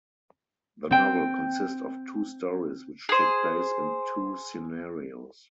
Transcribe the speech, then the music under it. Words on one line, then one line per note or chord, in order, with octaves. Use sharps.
The novel consist of two stories which take place in two scenarios.
C4 G5
G#4 C5